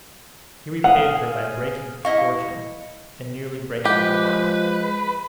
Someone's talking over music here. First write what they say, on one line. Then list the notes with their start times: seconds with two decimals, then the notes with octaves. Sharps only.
He repaid her by breaking her fortune, and nearly breaking her heart.
0.84 G#4 F5 F#5
2.05 E4 D#5 F5 C#6
3.85 F3 G#3 G4 B4